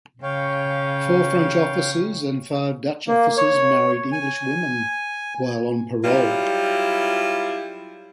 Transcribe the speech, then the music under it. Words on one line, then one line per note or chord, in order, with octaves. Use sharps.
Four French officers and five Dutch officers married English women while on parole.
C#3 C#5 F5 G5
A#3
C#5
G#5
F#3 G3 E4 F4